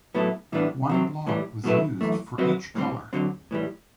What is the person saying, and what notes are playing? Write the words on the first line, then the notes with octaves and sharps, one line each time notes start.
One block was used for each colour.
A2 F#3 B3 E4 A4
A2 E3 G3 B3 D4
C3 F#3 C4
A2 E3 G3
B2 F#3 A3 E4 B4
F#2 E3 A3
G2 F#3 C4 F#4 B4
A2 G3 C4
D3 F#3 C4
A2 E3 G3